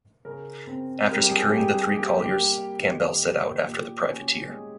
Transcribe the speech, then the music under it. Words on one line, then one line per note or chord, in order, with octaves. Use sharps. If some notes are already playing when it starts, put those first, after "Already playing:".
After securing the three colliers Campbell set out after the privateer.
C#3 A#4
C4
G3 A#4
G4
G#4
G3 G4
G#4
A#3 G4
G4
A#3
D#3
A#3
A#2
C#4
G#3 G#4